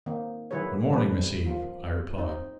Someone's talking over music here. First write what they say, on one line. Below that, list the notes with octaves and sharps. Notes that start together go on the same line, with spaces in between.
"Good morning, Miss Eve!" I replied.
D#3 A#3 C4 D#4
D#3 F#3 E4 G#4 B4 C#5
E3 G3 A3 B3 C4 B4
D#3 F3 F4
C4 D#4